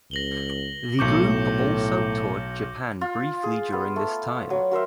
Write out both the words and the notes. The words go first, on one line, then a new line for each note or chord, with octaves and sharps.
The group also toured Japan briefly during this time.
C#2 A#6 F#7 G7
B1 A2 C#6 D6 G6 C#7
F4
G#4
B3
A3
F#3
F#4 A#4 C5 E5